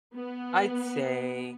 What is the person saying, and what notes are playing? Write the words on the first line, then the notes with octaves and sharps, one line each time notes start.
I'd say
B3